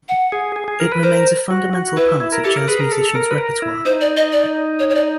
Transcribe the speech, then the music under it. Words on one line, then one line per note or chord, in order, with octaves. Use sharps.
It remains a fundamental part of jazz musicians' repertoire.
F#5
G#4
G#4
G#4
A#4
B4
A#4 C5
F#4
F#4
E4 B4
E4
A#4
G4 A4
A#4
G#4 B4
A#4
A4
A#4
B4
A#4
E4
D#4 C5
D5
D#5
D5
C#5
C#5
D5